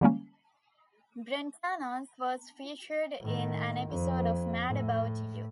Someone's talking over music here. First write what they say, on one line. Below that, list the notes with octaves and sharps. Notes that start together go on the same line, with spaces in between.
Brentano's was featured in an episode of "Mad About You".
D3 E3 G3 G#3 A#3 C#4
A2 D#3
F2
A2